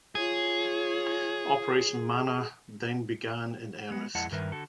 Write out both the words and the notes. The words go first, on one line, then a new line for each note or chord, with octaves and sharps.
Operation Manna then began in earnest.
F4 G#4 C#5
G#3 B3
F2 G#3 E4 D#5 F#5 A5
G2 D#3 A#4 B4 E5
D3 F#4 A4